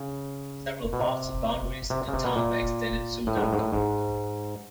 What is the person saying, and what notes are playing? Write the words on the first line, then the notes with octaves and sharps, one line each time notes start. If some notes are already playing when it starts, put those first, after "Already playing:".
Several parts of boundaries of the town were extended soon afterward.
Already playing: C#3
B2
C3
C3
C#3
C3
B2
A#2
A2
G#2
A2
G#2
A2
G#2